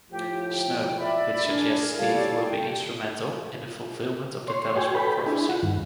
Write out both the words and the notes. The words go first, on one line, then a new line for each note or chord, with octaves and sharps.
Snow, which suggests Steve will be instrumental in the fulfilment of the Talisman Prophecy.
A2 F3 G4
G5
D5 E5 B5
D4 G#4 A#4
G3 E4 A4 C#5 D5 F5
G5
C#5 C6
F#4 C#5 G5 G#5
A4 B4 G5 B5
D4 E4 G#4
F4 F#5
G2 D#3